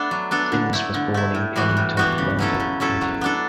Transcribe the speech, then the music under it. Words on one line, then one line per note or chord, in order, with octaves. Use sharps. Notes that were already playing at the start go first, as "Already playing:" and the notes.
Sims was born in Kennington, London, England.
Already playing: A3 B3 D4 A4
F#3
B3 D4 A4
D3
A3 E4
D3
A3 E4
A2
E3 G3 B3 F#4
A2
E3 G3 B3 F#4
C#3
F#3 C#4 E4 A4
C#3
F#3 C#4 E4 A4
F#3
B3 D4 A4